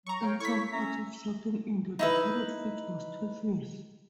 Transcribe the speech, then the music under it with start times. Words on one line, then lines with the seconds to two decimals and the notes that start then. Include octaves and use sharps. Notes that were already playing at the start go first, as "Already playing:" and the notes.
In some parts of southern India the period fixed was twelve years.
0.07 F#3 A#5 C#6
0.22 C#5 F5 G5
0.40 E4 A4 C#5 C#6 B6
0.73 C#4 E5 A#5
1.99 D#4 E4 B4